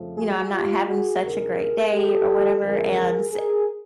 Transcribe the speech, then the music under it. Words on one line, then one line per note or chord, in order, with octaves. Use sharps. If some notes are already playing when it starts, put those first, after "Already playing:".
you know, I'm not having such a great day or whatever and s
Already playing: F2 C#3 F3 A3
F#4 G#4
F4 G4
F#4 G#4
D2 C3 D#3 G#4 A#4
G4 A4
F2 D3 F3 G#3 G#4 A#4
G#4 A#4